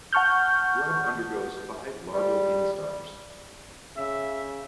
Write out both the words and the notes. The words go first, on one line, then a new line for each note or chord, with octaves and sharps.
Grub undergoes five larval instars.
F#5 A5 C#6 F6 G6
G3
C#3 E5